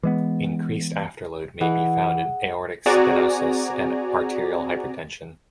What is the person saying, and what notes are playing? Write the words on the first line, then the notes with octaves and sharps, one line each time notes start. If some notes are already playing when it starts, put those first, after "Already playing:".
Increased afterload may be found in aortic stenosis and arterial hypertension.
E3 G#3 B3
E3 G#4 D#5 F#5
C4 F#4 G#4 D5 G#5 A#5